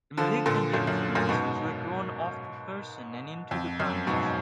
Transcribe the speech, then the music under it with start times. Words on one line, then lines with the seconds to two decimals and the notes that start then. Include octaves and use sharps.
The malignant influences were drawn off the person and into the branch.
0.17 D3 F3
0.46 A#2 D3
0.73 F#2 A#2
0.87 F#2
1.15 F#2 A#2
1.29 G#2 B2
3.51 F2
3.80 F#2
4.07 G#2 B2